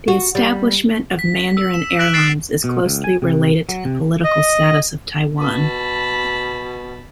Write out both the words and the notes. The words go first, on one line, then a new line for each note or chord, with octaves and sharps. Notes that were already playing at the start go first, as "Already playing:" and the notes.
The establishment of Mandarin Airlines is closely related to the political status of Taiwan.
F#4
G3
B6
E6
E7
F#6 B6 D7 E7 F#7
F#6 A6 C7 D7 E7
B2
C#2
G#5
C3
F#3
C3
D#5
B2 A5 B5